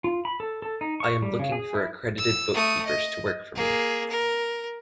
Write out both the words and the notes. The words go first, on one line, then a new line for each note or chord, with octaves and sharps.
I am looking for accredited bookkeepers to work for me.
F4
B5
A4
A4
D#4
C#6
G3
C#3
G#4
E4
E6
A3 D#6
D#5
A#3 G#4
A#4